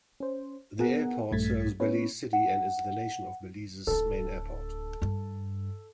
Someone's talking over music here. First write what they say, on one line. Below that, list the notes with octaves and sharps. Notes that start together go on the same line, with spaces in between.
The airport serves Belize City and is the nation of Belize's main airport.
C#4 C5
B3 G#4 A#4 F#5
A#1 G2 A3 G#6 A6 B6
B3 C#4 B4 C#5
F#5
D1 D4 A4
G2 G3